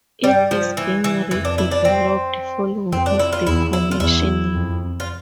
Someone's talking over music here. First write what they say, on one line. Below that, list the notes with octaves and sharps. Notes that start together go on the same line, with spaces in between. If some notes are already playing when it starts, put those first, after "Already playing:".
It is being redeveloped following its decommissioning.
G2 G3
F3
E3
E3
F2 E3
D4
E4
D4
C4
F2 C4
D4
E4
F4
E2 E4
E4
F4
E2 E4
F2
F4